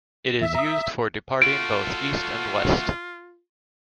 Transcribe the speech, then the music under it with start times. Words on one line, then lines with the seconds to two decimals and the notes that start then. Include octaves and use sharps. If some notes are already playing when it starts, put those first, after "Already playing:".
It is used for departing both east and west.
0.42 E2 E5
0.55 A#5 D#6
1.42 A3 F4 F#4 D7